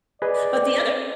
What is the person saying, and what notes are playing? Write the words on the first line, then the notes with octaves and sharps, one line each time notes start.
But the other
G#4 B4 D5 D#5